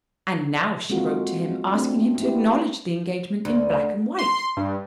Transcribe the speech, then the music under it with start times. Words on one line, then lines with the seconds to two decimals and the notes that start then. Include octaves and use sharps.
And now she wrote to him asking him to acknowledge the engagement in black and white.
0.90 G#3 A#3 C4 F4 F#4 A4
1.74 A3 C4 D4
2.20 A#3 B3 E4 G4
3.45 D2
4.19 C6
4.57 G2